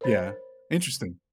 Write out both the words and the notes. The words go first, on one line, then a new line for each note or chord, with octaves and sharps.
Yeah. Interesting.
A#4 C5 C#5 B5 A6